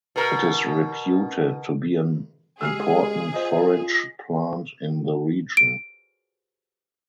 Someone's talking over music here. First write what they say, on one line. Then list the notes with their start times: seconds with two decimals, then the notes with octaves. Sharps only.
It is reputed to be an important forage plant in the region.
0.16 B2 A#4
2.61 G#3 G4 G#4 E6 F6 C7
3.34 F4 C5 D#5
5.57 D7